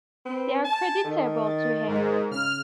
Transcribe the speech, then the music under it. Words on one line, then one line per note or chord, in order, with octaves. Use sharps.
They are creditable to him.
C4 B4
G#5 A5
D#3 A4
A6
G#2 A#4
C#3 F6